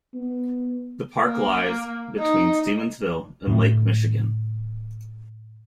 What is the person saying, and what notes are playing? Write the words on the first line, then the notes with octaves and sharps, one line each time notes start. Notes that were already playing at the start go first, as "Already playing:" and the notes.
The park lies between Stevensville and Lake Michigan.
B3
A#3
D#4
A2 D3 A3